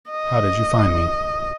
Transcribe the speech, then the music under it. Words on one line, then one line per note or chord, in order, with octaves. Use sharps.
How did you find me?
D#5